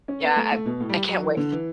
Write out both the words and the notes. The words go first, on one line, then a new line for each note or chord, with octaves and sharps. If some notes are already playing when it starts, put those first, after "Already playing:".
Yeah, I I can't wait.
C#4
B3
A3
A3
B2
A2
G3
F#3
E3
D3
E3